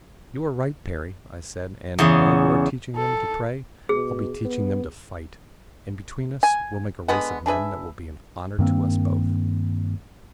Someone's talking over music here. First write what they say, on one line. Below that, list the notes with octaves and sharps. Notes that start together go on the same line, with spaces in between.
"You are right, Perry," I said, "and while you are teaching them to pray I'll be teaching them to fight, and between us we'll make a race of men that will be an honor to us both."
E2 C#3
A4
B2 G#4
B3
G#5
D3 G#3 B3 F#5
D4 G#4 B4 E5
G2 D#3 A#3 C4